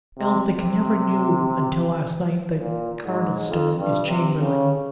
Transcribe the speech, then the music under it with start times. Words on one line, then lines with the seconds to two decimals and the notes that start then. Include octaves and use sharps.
Elphick never knew until last night that Cardlestone is Chamberlayne.
0.19 C3
0.50 C3
2.59 A#2
3.04 G#2
3.49 F2
3.79 G2
4.08 C3
4.39 C#3